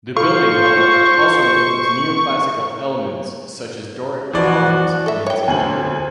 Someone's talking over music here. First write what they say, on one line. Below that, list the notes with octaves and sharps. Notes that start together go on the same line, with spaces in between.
The building however also includes Neoclassical elements such as Doric columns in its interior.
F4 A4 C5 C#6
E3 F3 F#4 D5
A4 E5
C#5 G5
D2 C4 G#5 F#7